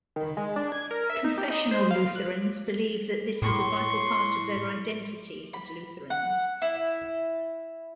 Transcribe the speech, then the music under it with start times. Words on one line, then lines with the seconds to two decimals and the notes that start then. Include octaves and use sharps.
Confessional Lutherans believe that this is a vital part of their identity as Lutherans.
0.16 D#3
0.37 G#3
0.56 D4
0.72 G#6
0.91 A#4
1.10 E5
1.24 D#4
1.38 G4
1.50 D#4
1.71 C5
1.91 F5
2.15 F#6
3.42 A2 C6 C#6
5.53 B5
6.10 F#5
6.62 E4